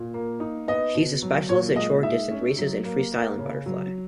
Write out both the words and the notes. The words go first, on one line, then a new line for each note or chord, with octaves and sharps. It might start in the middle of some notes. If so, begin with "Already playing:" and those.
She is a specialist in short distances races in freestyle and butterfly.
Already playing: A#2
A#3
D#4
B3 D#5
B2
F#3
A#2 C#5
G#3 D#5
D#4 E5
C#4
F#3
A#3
A#3
C#3
F#3